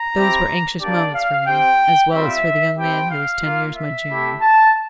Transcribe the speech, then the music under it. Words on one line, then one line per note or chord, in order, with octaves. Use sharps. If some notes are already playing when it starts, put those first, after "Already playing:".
Those were anxious moments for me, as well as for the young man who was ten years my junior.
Already playing: A#5
C4 E4 G4
A#3 D4 G4 D5
F5
C4 G4 G5
G3 C4 F4 E5
C4 E4 G4 G5
F5
A#3 F4
E5
A3 E4 G4
A5